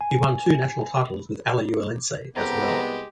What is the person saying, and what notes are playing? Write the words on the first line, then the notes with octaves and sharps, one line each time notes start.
He won two national titles with Alajuelense as well.
G#5
C2 C#3 B3 G4 A4 C5 A#5
G#3